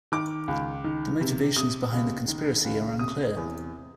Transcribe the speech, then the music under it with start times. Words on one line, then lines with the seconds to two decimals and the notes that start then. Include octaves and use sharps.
The motivations behind the conspiracy are unclear.
0.12 D#3 D6
0.48 C#2
0.84 D#3
1.21 C3
1.56 C3 D#6
1.92 C#2
2.28 D#3
2.64 C#2
2.99 C3 D#6
3.37 E2